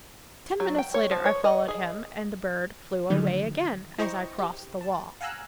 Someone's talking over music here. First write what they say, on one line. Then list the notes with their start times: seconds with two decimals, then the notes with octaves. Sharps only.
Ten minutes later I followed him, and the bird flew away again as I crossed the wall.
0.60 F#3
0.78 G5
0.94 C#5
1.11 F3
1.25 C#5
1.44 D#5
1.68 G#4
3.10 D3 D#3 F3 F#3 A3 D#4
3.99 E4 C5 D#5 G5 A#5 C#6
4.38 G4
4.81 A5
5.21 F5 F#5 G#5 A#5 E6 F#6